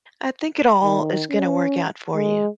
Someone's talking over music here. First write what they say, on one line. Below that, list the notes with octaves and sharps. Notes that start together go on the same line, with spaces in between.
I think it all is gonna work out for you.
D#3
C#4
G#3